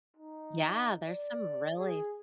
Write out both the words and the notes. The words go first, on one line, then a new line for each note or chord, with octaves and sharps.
Yeah, there's some really
D#4
D5
G#4